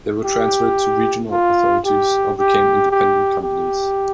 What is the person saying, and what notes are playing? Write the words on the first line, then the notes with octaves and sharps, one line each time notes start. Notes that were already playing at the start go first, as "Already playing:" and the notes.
They were transferred to regional authorities or became independent companies.
G4
F4
G4
G4
G4
G4